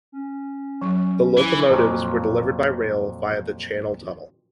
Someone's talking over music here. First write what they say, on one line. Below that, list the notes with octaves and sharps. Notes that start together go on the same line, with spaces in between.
The locomotives were delivered by rail via the Channel Tunnel.
C#4
F#3
E3
F2 A#2 F3 F#3